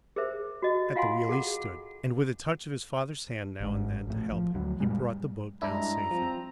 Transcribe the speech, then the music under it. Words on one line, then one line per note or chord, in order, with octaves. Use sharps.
At the wheel he stood, and with a touch of his father's hand now and then to help him, he brought the boat down safely.
G#4 A#4 C5 E5
F#4 D#5
F4 F5 F#5 G#5 C6
G#4 A4 F#5
G#1 G#2
A#1 A2
F3
D2 F#3
F#2 A#2 G3 G#3
G2 G#3 D4 E4 A#5
F3 C4